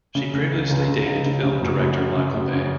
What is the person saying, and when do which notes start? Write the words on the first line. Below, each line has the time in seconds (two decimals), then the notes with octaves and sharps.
She previously dated film director Michael Bay.
0.15 C#3
0.34 C#3
0.52 C#2
0.70 C#2
0.88 C#3
1.06 C#2
1.24 C#3
1.43 C#3
1.61 F#2
1.80 F#2
1.98 C#3
2.16 C#3
2.35 F#2
2.54 C#3